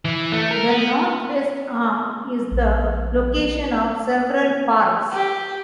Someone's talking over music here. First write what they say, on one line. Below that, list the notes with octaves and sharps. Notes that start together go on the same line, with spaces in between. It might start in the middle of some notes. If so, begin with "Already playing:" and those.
The Northwest Arm is the location of several parks.
E3
A3
A#4
B3
A#1
G4